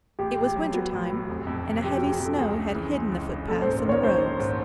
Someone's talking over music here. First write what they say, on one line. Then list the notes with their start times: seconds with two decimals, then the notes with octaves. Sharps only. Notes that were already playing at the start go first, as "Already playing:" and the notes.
It was winter time, and a heavy snow had hidden the foot-paths and the roads.
0.19 A1 G4
0.37 A2
0.46 G4
0.56 F#3
0.74 B3 F#4
0.92 A1
1.10 A2
1.29 F1
1.47 F2
1.65 C3
1.83 F3 G4
1.97 F1 F#4
2.11 G#4
2.20 F2 A4
2.38 C#2 G#4
2.57 C#3
2.75 E3
2.93 G#3
3.12 C#2
3.30 C#3
3.48 A#1 A4
3.62 C5
3.67 G#2
3.76 C5
3.85 D#3 C#5
4.03 A#1 C5
4.21 A#1
4.39 G#2